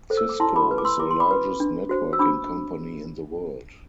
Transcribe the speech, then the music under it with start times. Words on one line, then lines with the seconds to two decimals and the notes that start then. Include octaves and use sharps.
Cisco is the largest networking company in the world.
0.10 A4 C5
0.17 E6
0.29 D6
0.40 E4 A5 C6
0.56 B5 D6
0.71 B4
0.78 D6
0.85 C6 E6
1.00 E4 D6
1.11 C6
1.20 B5 D6
1.31 B4
1.60 D4
1.89 F#4 C5
2.13 E6
2.19 D4 B5 D6